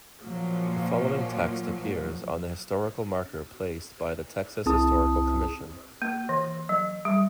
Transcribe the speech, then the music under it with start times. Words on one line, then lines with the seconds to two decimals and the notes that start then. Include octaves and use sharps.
The following text appears on the historical marker placed by the Texas Historical Commission.
0.25 A#2 F3 F#3
4.66 C2 C4 E4 G#4 A5 D#6
6.02 A#3
6.29 E3
6.69 F#3
7.05 G3